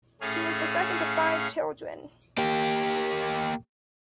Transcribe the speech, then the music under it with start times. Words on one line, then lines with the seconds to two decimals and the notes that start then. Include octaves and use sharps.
She was the second of five children.
0.21 A2 A3 C#4 G#4 F5
2.38 A#3 G4